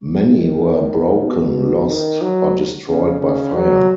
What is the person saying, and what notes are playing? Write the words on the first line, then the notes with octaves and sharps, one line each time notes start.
Many were broken, lost, or destroyed by fire.
D#3
B2
D#3
F#3
C#3
C#3
F#3